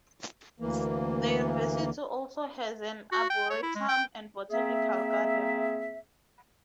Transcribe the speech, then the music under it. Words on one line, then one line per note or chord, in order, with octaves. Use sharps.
The University also has an Arboretum and Botanical Garden.
D2 E3 A#3
F#4
G5
C#5
E4
G#3
G5
A#3 C4 G#4 E5